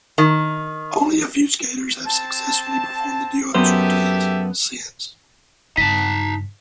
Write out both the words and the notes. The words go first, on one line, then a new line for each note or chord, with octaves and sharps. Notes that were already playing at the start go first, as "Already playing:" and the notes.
Only a few skaters have successfully performed the duo's routines since.
D#3
C4 A5
F#2 B3 G4 A4 C5 E5
G2 C#3 D#4 A5 B6